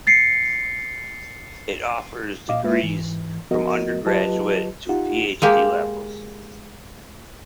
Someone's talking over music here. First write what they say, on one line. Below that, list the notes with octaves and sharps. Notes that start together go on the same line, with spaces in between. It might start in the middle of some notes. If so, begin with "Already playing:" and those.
It offers degrees from undergraduate to PhD level.
A6 C7 C#7
A#2 D#5 F5 D6
G#3 A#3 E4 F4 B4 E5
G#2 E3
F3 B3 F#4 A#4 D#5
F#3 F4 G4 B4 D#5 A5
D#4 F4 G4 F#5
G#3 A#3 G4